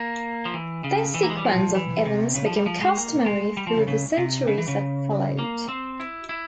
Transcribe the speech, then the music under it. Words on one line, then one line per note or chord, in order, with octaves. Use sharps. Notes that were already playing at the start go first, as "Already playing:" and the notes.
This sequence of events became customary for the centuries that followed.
Already playing: A#3
F3
E3
C#3
E3
A#3
G#3
G3
F3
E3
C3
C#3
F3
G3
F3
G#3
A#3
G#3
G3
F3
C#3
C#3
C3
C#3
E3
C#3
A#3
C4
E4
E4